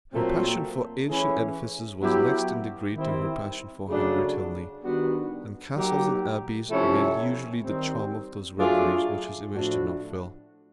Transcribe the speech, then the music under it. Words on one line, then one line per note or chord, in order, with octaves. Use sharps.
Her passion for ancient edifices was next in degree to her passion for Henry Tilney--and castles and abbeys made usually the charm of those reveries which his image did not fill.
A#2 F#3 A3 C4
E3 A3 C#4 E4 G#4
F#3 B3 E4 G4
D#3 G3 C4 E4
C#3 F#3 A3 D4
D#3 G3 B3 D4 F#4
F#3 A#3 D#4 G4
C3 F3 A3 C#4 E4
D#3 G3 C4
F#3 A3 D4 F4 G#4
A2 F3 A3 D4 F#4